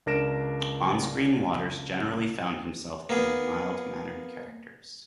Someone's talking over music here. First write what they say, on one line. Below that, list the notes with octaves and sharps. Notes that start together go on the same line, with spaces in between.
On screen Waters generally found himself playing mild mannered characters.
C#2 D4 A#4 A#6 D7 E7
A#3 B3 G#4